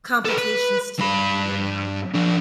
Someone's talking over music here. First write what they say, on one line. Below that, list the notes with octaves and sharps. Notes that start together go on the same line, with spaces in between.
complications to it, you know?
A4 B4
B4
G2 B5
F3 D4